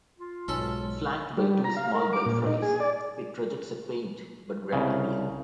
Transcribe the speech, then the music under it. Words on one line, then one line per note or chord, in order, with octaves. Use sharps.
Flanked by two small belfries, it projects a quaint but grand appeal.
F4
B1 G#2 C#4 A4
G3
A#5
F5
A#4
D6
A#2
D#4
G#4
D5
C2 C#3